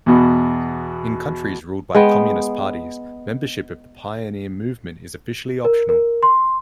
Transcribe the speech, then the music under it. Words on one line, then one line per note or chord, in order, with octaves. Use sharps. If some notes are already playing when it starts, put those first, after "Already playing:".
In countries ruled by Communist Parties, membership of the pioneer movement is officially optional.
E2 B2
G#3 B3 G5
A#4
A#4
C6